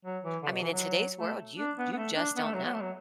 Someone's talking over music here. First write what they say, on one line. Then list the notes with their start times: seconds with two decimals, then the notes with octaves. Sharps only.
I mean, in today's world, you you just don't know.
0.05 F#3
0.24 E3
0.43 D3
0.52 B2
0.62 E3
0.72 F#3
1.20 A3
1.58 D4
1.78 B3
1.92 B3
1.97 A3
2.16 D4
2.36 B3
2.45 A3
2.54 F#3
2.64 B3
2.74 A3
2.82 F#3